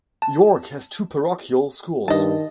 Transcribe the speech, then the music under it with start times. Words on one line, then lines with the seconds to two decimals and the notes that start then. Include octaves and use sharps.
York has two parochial schools.
0.22 A5
2.08 G2 D#3 D#5 A5